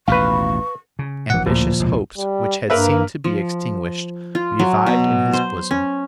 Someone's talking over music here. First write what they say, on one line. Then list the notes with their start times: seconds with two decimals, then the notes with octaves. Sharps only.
Ambitious hopes, which had seemed to be extinguished, revived in his bosom.
0.08 A1 D#2 B2 B4 F5 C#6
0.99 C#3
1.30 A#1 A#2 D3 E3 F#5
1.46 D1 D2 A#2 F3
1.79 E1 C#2 C3
2.17 G3
2.70 G2 A#3 A#4 B4 E5
3.24 F3
4.35 F4
4.59 F#3
4.86 B2
5.33 C5
5.71 C#4